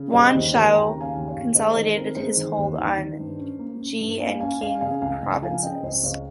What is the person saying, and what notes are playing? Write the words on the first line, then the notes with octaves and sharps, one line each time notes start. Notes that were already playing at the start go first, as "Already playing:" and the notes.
Yuan Shao consolidated his hold on Ji and Qing provinces.
Already playing: C#3
G3 C5 D#5
D#2 C5
D#2 A#4 C#5
D#2 G5 A#5
C#3
F5 G#5
D#2
C#5 F5
D#2
G#3 C5 D#5
D#3 C5
C4 A#4
G#3 C5
D#3
D#2
D#3
D#3
G2
C#4
A#3
C#4
G2
A#3 F5 G#5
C#4 F5 G#5
C#4 F5 G#5
C#3 F5 G#5
C#2 F5 G#5
C#2
F3 F5 G#5
C#3 D#5 G5
C#2 C5 D#5
C#2 C#5 F5